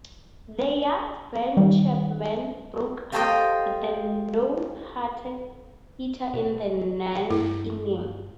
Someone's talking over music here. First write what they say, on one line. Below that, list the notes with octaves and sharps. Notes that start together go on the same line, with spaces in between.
The Yanks' Ben Chapman broke up the no-hitter in the ninth inning.
D#3 G3
F4 G4 A4 C5 D#5 G5
B2
G2 E4